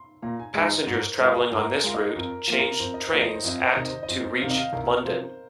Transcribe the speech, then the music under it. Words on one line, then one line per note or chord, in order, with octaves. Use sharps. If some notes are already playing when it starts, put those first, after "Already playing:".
Passengers travelling on this route changed trains at to reach London.
Already playing: C6
A#2 A#5
G#5
G#3 D#4 D#5
C5
G#2 C5
A#4
C5
G#3 F4 A#4
G#4
G#2 A#4
G#4
G#3 F4
D#5
F2 A#4
F3 A#3 F4
A#4
F2 C5
D#5
C5
F3 A#3 F4
D#5
C5
F2 D#5
C5
C3 D#3 C4 D#5
C5
D#5
F2 C5
C5
C3 D#3 C4 F5
D#5
F5
C2 A#4
C3 F3 C4 C5